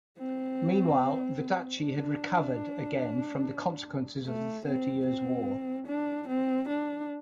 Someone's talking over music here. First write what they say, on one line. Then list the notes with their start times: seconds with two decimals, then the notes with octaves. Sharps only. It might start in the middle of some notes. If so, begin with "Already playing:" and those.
Meanwhile, the duchy had recovered again from the consequences of the Thirty Years' War.
0.18 C4
1.81 D4
4.25 A3
4.66 C4
5.06 C4
5.87 D4
6.28 C4
6.69 D4